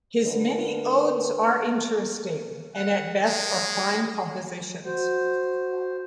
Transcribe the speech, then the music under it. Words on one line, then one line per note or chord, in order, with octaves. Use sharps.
His many odes are interesting, and at best are fine compositions.
D3 A#4 B4
F#5
G#3
F#4 C5